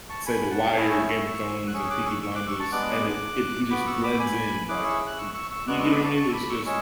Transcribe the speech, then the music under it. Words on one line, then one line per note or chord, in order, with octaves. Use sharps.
say, The Wire, Game of Thrones, and Peaky Blinders, and it it he just blends in, like, m you you know what I mean? It's just
A5 C#6
G#5 B5
F#5 A5
A3 C#4 E4 G#4 E5 G#5
C#6 E6
C#6 E6
F#6
C#4 G#4 C#6 E6
D6 F#6
C#6 E6
C#6 E6
D6 F#6
C#6 E6
A5 C#6
G#3 B3 D4 D6 F#6
B3 F#4 B5 D6
C#6 E6
B5 D6
G#5 B5
C#4 E4 G#4 D6 F#6
C#6 E6
F#6
C#6 E6
C#6 E6
C#6 E6
G#3 B3 D4 F#4 D6 F#6
C#6 E6
B5 D6
A5 C#6
A5 C#6
E6
B5 D6
C#6 E6
G#3 C#4 G#4 C#6 E6